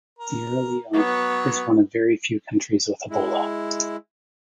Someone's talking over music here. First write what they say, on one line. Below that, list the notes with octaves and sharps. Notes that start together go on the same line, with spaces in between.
Sierra Leone is one of very few countries with ebola.
A#4
F#3 B3 C#5
G#3 E4